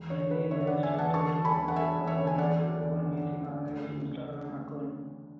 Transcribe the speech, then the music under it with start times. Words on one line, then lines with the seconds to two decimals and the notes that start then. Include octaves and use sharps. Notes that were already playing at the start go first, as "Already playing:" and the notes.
She then started to upload covers and her own music on her Instagram account.
Already playing: E1
0.10 D3 C#5
0.31 F#3 B4
0.51 D3 C#5 E5
0.67 D5 F#5
0.72 D3
0.83 E5 G#5
0.94 E1 F#5 A5
1.14 D3 A5 C#6
1.35 F#3
1.45 G#5 B5
1.55 E1
1.68 F#5
1.76 F#3 E5 G#5
1.97 E1
2.07 C#5 E5
2.18 D3
2.27 G#5
2.38 E2 D5 F#5
2.60 F#3
2.81 E2
3.02 D3
3.21 D3
3.43 D3
3.63 D2
3.84 D2
4.05 C#3
4.26 C#3